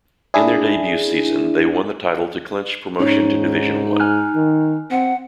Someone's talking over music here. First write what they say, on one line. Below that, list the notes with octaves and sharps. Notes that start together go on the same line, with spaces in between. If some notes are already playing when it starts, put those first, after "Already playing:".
In their debut season they won the title to clinch promotion to Division One.
D4 E4 G#4
G#2 C#4 D#4 C#5
G#5 F6 F#6
D#3
C4 F#5